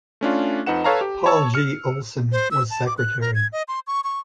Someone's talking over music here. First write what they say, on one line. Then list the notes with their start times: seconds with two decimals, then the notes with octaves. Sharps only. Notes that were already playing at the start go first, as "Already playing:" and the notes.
Paul G. Olsen was Secretary.
0.21 A3 C#4 D4 F4
0.66 F2 D#4 B4 F#5 E7
0.84 A4 B4 C#5 F5 A5 A#5
1.01 G4
1.26 C#5 A5 C#6 E6
1.54 F6 C#7
2.32 C5
2.51 E6
2.70 A5
2.86 D6
2.98 F#6
3.21 A#4
3.35 G#6
3.53 D#5
3.68 C6
3.87 C#6
4.04 C#6